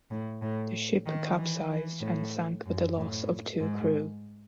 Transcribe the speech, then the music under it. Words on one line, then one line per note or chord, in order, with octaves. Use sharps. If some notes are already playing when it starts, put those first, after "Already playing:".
The ship capsized and sank with the loss of two crew.
A2
A2
D#3
E3
E3
A2
F#2
A2
G#2